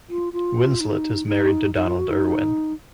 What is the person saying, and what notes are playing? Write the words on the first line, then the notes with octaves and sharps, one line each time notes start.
Winslett is married to Donald Irwin.
F4
F4
D#4
D#4
D#4
F4
F#4
D#4